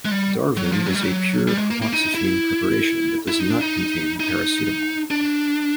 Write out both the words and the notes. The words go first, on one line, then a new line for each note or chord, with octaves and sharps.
Darvon is a pure propoxyphene preparation that does not contain paracetamol.
G#3
G3
F#3
F3
F#3
G3
F#3
G3
G#3
A#3
A#3
D#4
E4
E4
D#4
D4
D#4
D#4
D4